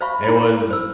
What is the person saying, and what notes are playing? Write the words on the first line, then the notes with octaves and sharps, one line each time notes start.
It was
C5 E5 F5 B5 C#6
E4 B5
C5 E6